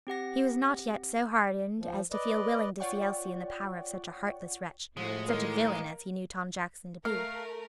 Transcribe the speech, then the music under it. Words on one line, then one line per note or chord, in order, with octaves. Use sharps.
He was not yet so hardened as to feel willing to see Elsie in the power of such a heartless wretch, such a villain as he knew Tom Jackson to be.
C4 G4 F#5 A#6
F3
B4 D5 D#5
F4 C#5 D5 F#5 G5 C#6
A2 F3 G#3 A3 F#4
D#3 A#3 A#4
A3 A#4 F5